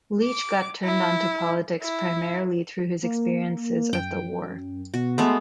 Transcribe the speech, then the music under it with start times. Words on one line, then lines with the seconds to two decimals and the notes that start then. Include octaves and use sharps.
Leech got turned onto politics primarily through his experiences of the war.
0.24 D6
0.84 E4
1.83 E4
3.03 A#3
3.93 F#2 G5
4.94 B2 F#4
5.18 G#3 A3 B3 C6